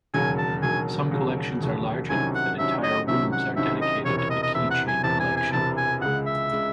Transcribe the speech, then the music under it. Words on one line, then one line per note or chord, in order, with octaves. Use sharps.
Some collections are large enough that entire rooms are dedicated to the keychain collection.
E1 D#2 C#3 F#3 G#5
A5
E1 D#2 C#3 F#3 G#5
E1 D#2 C#3 F#3
E1 D#2 C#3 F#3
C2 C3 D#3 F#3 C#4 G#5
F#5
C2 C3 D#3 F#3 C#4 E5
D#5
C2 C3 D#3 F#3 C#4 E5
F#5
C2 C3 D#3 F#3 C#4 E5
D#5
E1 E2 C3 C#5
C#5
D#5
D#5
E1 E2 C3 E5
F#5
G#5
E1 E2 C3 A5
G#5
G#5
E1 E2 C3 A5
G#5
C#2 C#3 G#3 F#5
E5
C#3 G#3